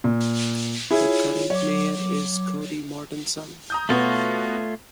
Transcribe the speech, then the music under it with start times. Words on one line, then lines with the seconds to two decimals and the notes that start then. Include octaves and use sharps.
The current mayor is Cody Mortensen.
0.04 A#2
0.91 E4 F4 G#4 C#5
1.50 F#3 C#5 D6
3.70 A#5 D#6 G6
3.89 B2 A3 B3 F4 C#5